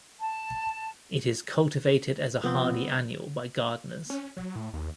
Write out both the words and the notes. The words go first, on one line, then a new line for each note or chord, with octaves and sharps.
It is cultivated as a hardy annual by gardeners.
A5
C3 F3 B3 C4
C#4
F#3
A2
D#2